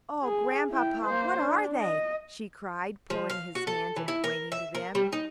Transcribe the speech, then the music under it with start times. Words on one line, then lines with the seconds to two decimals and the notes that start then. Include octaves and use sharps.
"Oh, Grandpapa, what are they?" she cried, pulling his hand and pointing to them.
0.24 G#4
0.70 E4 G5
1.04 A#3 C5
1.39 D4
1.80 D#5
3.10 F3
3.30 F5
3.55 F#4
3.67 A4
3.96 E3
4.08 E4
4.24 A#4
4.52 E5
4.75 A#4
4.95 G3
5.13 D#4